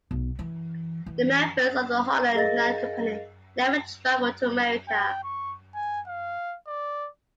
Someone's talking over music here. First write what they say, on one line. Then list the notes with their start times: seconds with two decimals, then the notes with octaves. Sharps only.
The members of the Holland Land Company never travelled to America.
0.11 B1
0.39 E3
1.06 E3
2.35 G#4 A#4 D#5 F5 A6 A#6
4.88 G5
5.24 C#6
5.75 G#5
6.07 F5
6.67 D5